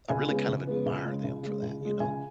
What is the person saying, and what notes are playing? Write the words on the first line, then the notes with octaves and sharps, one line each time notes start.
I really kind of admire them for that, you know?
C#2 G#5
C#3 G#3 B3
C#2
C#3 G#3 B3
C#2
C#3 G#3
C#2
C#3 G#3
C#2
C#3 G#3
C#2 G#5